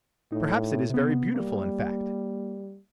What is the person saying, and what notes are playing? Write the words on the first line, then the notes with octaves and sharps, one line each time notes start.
Perhaps it is very beautiful, in fact.
A2 D#4
C3 B3
G3 A#3